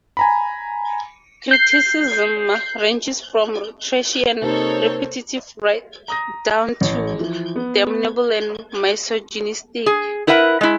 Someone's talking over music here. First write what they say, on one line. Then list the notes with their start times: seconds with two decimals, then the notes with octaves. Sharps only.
Criticism ranges from trashy and repetitive right down to damnable and misogynistic.
0.17 G#5 A#5 B5
1.51 G6 C7
4.42 C3 A#3 D#4 A4 C5 C#5
6.08 A#5 D#6 A#6
6.81 A1 C#5
7.20 E3 F3
7.56 B3
9.86 G#4
10.27 E4 A#4 B4 E5 F#5
10.61 G#3 E4